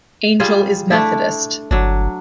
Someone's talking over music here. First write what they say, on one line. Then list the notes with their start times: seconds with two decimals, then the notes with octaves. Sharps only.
Angel is Methodist.
0.40 G3 F4 G#4
0.90 A3 D4 E4
1.71 G1 F#3 D4